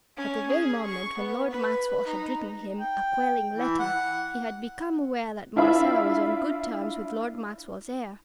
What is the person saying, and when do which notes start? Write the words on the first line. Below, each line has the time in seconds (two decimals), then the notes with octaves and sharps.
At the very moment when Lord Maxwell had written him a quelling letter, he had become aware that Marcella was on good terms with Lord Maxwell's heir.
0.17 C#4
0.50 G#4
0.86 C#6
1.18 B3
1.51 B4
2.07 D#4
2.79 G5
3.55 E3
3.79 F#5
5.56 D4 E4 F4 E5 F5 B5